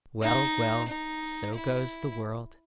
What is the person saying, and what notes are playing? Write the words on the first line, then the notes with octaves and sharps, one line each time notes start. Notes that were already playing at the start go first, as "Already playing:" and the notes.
Well, well! so goes the world!'
D#4
D#4
E4